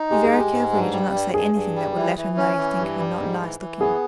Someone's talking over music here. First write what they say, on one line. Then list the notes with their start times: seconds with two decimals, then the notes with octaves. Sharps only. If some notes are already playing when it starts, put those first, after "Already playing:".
Be very careful you do not say anything that would let her know you think her not nice looking.
Already playing: D#4
0.10 G#3 G4
0.24 G#4
0.31 G#3
0.38 G4
0.52 G#2
0.72 G2
0.92 G3
1.14 G2
1.34 G2 G#4
1.54 G2
1.75 G3
1.96 E3
2.17 E3
2.37 C#4
2.57 E3
2.78 G2
2.98 G3
3.19 G#2
3.40 E3
3.59 E3
3.80 B3 G#4